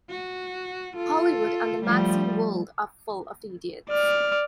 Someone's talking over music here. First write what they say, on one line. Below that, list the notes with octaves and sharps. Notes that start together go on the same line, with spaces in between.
Hollywood and the magazine world are full of idiots.
F#4
F4 A4
F3 G3 A3
D5 F6